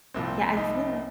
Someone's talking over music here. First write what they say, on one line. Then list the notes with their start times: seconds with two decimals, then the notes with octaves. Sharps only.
Yeah, I feel like
0.14 C2 A#2 F3 C4
0.57 D#4